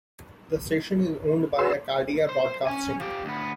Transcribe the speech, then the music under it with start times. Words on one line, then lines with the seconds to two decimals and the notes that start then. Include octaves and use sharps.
The station is owned by Acadia Broadcasting.
1.59 F#4 G#4 B4 C6 E6
2.29 C5
2.67 C#4 G#5
3.00 F3 G4
3.25 D2 B3